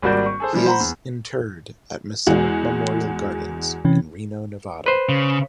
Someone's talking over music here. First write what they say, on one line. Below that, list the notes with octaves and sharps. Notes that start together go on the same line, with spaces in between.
He is interred at Masonic Memorial Gardens in Reno, Nevada.
G#1 G3 A#3 F#4 D5 G6
C#6
G#4 A4 C5
E3 F3 G3
C5 F#5 A#5 B5
E2
E2 G#3 F#4
C3 E3 C#4
B4 C5
C#3